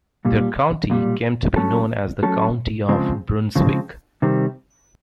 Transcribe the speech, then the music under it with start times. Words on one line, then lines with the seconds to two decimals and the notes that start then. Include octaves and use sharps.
Their county came to be known as the County of Brunswick.
0.25 B1 A#2 G3
0.90 B1 A#2 G3
1.56 F#3 A3 C#4 F#4 A4
2.23 F#3 A3 C#4 F#4 A4
2.89 C#3 F3 G#3 C4
3.56 C#3 F3 G#3 C4
4.22 C3 D#3 G3 C4